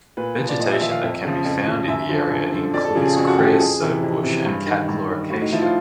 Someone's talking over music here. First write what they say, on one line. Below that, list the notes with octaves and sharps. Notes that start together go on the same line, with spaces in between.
Vegetation that can be found in the area includes creosote bush and catclaw acacia.
A#2 B4
F3
D5
A#2 D#5
E5
F3 E5
F5
F2 E5
C#3 F3
F2
C#3 F3
F#2 E5
D3 F3
F#2
D3 F3
F2 D5
A4
C#3 F3 G#4
G#4
F2 F#4
F#4
C#3 F3 G4
A4
F2 G#4
C3 E3
F2
C3 E3
G2
D#3
G2
D#3
A2 F#4
D#4
F3 E4
F4